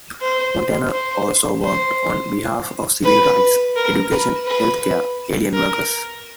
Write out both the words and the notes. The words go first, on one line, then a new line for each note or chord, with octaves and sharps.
Montoya also worked on behalf of civil rights, education, health care, alien workers.
C5
C5
C5
B4
A#4
B4
B4
A#4